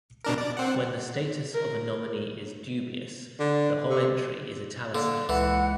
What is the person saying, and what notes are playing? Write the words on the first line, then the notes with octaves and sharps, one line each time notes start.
When the status of a nominee is dubious the whole entry is "italicized".
B2 D4 A#4
D5
C4 F#5
A#4
D3
C3
D3 A#3
C#2 E3 F#5